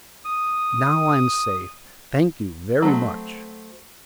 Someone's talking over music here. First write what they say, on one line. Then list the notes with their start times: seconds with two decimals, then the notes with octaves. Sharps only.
'Now I'm safe; thank you very much.
0.25 D#6
2.82 F#3 A3 C4